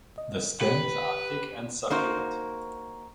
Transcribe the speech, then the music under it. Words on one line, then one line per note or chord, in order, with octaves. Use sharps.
The stems are thick and succulent.
D#5
G4 B4
A#3 D#4 F#4 C5